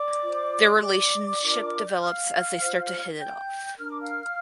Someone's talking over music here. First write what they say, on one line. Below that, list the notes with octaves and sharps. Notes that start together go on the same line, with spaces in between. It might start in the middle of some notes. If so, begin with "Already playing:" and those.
Their relationship develops as they start to hit it off.
Already playing: D5 D6
F4 C5
C6
D5 D6
D4 F4 A#4
G6
F5 F6
F4 C5
G5 G6
D4 A#4 F6
D6
F5 F6